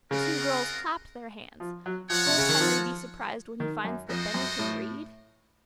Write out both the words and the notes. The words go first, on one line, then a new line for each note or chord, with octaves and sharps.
The two girls clapped their hands. "Won't Henry be surprised when he finds that Benny can read?"
C#3 C4 F4 A#4 D#5 F#5
F3
F#3
F3 F#4 A4 C#5 F#5
C3
C#3
D#3
F3
D#3
F#2
F2 A3 C4 F#4 C5 D#5
F#2
A2